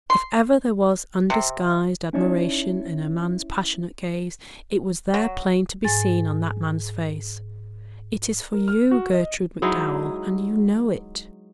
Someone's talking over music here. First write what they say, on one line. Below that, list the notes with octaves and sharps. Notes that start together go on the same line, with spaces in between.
If ever there was undisguised admiration in a man's passionate gaze it was there plain to be seen on that man's face. It is for you, Gertrude MacDowell, and you know it.
C6
C3
C#4 D#4 E4 C#5 D5 A5
F#3
G#2 G#5 A6
A#4
F6
F#4
D#5
F#3 G#3 D#4 E4